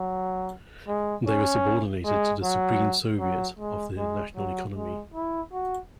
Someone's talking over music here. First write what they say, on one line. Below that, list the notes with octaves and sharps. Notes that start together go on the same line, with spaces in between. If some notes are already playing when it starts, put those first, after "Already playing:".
They were subordinated to the Supreme Soviet of the National Economy.
Already playing: F#3
G#3
C#4
G#3
F#3
F#3
G#3
G#3
F#3
G#3
E4
F#4